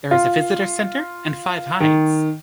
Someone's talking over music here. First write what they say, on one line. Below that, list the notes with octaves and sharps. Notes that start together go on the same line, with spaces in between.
There is a Visitor Centre and five hides.
F4
D#3